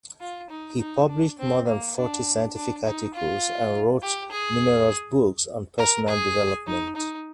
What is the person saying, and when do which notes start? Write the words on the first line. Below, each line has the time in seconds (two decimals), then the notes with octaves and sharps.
He published more than forty scientific articles and wrote numerous books on personal development.
0.20 F4
0.50 D#4
0.79 D#4
1.09 D4
1.39 C4
1.68 A#3
1.97 D4
2.56 D4
2.85 D#4
3.14 F4
4.02 G4
4.32 G#4
5.78 A#4
6.08 G#4
6.67 D#4
6.96 D#4